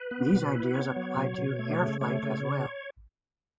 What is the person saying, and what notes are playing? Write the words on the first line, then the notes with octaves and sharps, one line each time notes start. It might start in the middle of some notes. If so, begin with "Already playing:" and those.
These ideas apply to air flight as well.
Already playing: B4
B3
B2
E4
B3 C#5
F#3
B2
B2
A3
C#3
A3 C#5
C#3